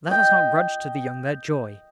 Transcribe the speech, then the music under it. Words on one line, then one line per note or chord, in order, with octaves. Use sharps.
Let us not grudge to the young their joy.
D#5 G5